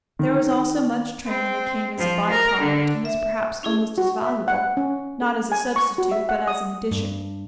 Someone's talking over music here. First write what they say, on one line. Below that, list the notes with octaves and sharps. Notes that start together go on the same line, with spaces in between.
There was also much training that came as a by-product and was perhaps almost as valuable--not as a substitute but as an addition.
D#3
C4
F3
A#4
D3
E5
C#4 E4 G#4
F#4
E5
F#5
C#4
A4
G#5
C#6
F#4
E5
F#5
D#6
G2